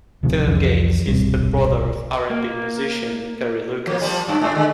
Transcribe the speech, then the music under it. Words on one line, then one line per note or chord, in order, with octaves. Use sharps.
Phillinganes is the brother of R and B musician Carrie Lucas.
D1 D2 C3 F3
C2 F2 E3
D1 B1 G2 C3
A#3
F3 A#3
F3 G3
F#2
G#2 D4
D3 G#3